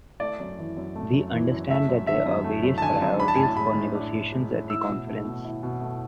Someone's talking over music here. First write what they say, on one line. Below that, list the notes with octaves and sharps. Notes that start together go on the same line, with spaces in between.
We understand that there are various priorities for negotiations at the Conference.
A3 D5
F#2
E3
F#2
A3
F#2
E3
F#2
A3 E5
F#2
D3 E5
F#2
A3
F#2
A5
D3 G#5
F#2
D4 B5
A5
A2 G#5
A5
G#3 B5
A2
D4
A2
G#3
A2
E4 E6
B2
A3
B2
E4
B2
A3